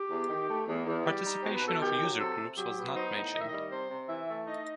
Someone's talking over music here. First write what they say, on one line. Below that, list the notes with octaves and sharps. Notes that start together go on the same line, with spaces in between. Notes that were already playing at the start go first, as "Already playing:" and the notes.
Participation of user groups was not mentioned.
Already playing: G4
E2
D#3
A3
E2
E2
G3 G4
D#4
B2 C5
B4
B2 A4
D#3 G4
F#3
C3 A4
C3
F#3 G4
B3
D#4 C5
A2
D#3 D#5
E5
G3 D#5
C3 C5
C3
E3 E5
A3
D#4 D#5